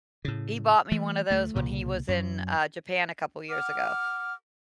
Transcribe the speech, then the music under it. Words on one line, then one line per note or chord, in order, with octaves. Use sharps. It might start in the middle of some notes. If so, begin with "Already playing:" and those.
He bought me one of those when he was in, uh, Japan a couple years ago
A2 C#3
E3 A3
D2 A3
C2 A#2 C#3
F#2 F#3
F#5 D6 F6